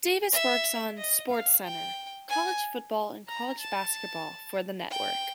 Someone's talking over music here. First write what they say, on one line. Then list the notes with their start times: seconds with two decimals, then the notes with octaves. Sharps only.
Davis works on "SportsCenter", college football and college basketball for the network.
0.32 E5
0.97 D#5
1.31 F5
1.64 G5
2.29 G#5
3.28 A#5
3.60 A5
4.91 G5